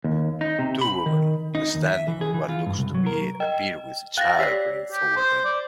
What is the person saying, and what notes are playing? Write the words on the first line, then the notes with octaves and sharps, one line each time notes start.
Two women are standing on what looks to be a pier with a child running toward them.
D#2
D#4
C3
B5
D#3
D#4
D#2
E5
E3
G#4
E3
F4
G2
C2
F#3
A#4
D#5 G5
F5 G5 F#6 A6 A#6
G4 C#5 D5 E6 B6 C7
G4
C5
D5